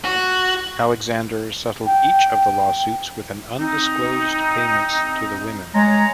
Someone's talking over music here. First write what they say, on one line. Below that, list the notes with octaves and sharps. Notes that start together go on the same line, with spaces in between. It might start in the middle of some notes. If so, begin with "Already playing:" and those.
Alexander settled each of the lawsuits with an undisclosed payments to the women.
F#4
G5
C4 D#4
G#3 C#5 A#5